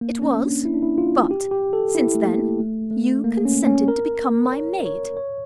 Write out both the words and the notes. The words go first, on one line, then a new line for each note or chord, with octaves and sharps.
"It was; but, since then, you consented to become my maid."
A#3
C#4
D4
E4
D4
E4
F4
G4
G4
A4
E4
A3
A#3
A3
A3
A#3
C#4
C#4
A#4
C#5
C#5
C#5